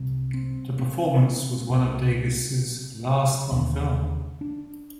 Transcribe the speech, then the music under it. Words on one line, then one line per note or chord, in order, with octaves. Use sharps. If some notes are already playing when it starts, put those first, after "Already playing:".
The performance was one of Davis's last on film.
Already playing: C2 C3
C4
C4
C2 C3
D#2 D3
D4